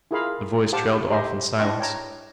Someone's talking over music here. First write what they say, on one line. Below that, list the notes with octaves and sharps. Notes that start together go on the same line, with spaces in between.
The voice trailed off in silence.
E4 F4 G#4 A#4 F5 B5
G4 C5 F5 F#5 A5 D6
G4 C5 D#5 E5 C6
D4 E4 D#5 G5 C6 C#6
C#5 G5 A5 A#5